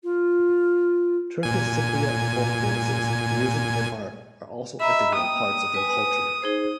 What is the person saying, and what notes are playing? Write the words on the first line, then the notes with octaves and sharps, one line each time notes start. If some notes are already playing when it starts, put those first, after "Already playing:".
Turkish Cypriot folk dances, music, and art are also integral parts of their culture.
F4
A#2 G#5
D#5 E5 A#5 B5
A#3 G5 D#6
B4 G#5
D#4 G#4 C5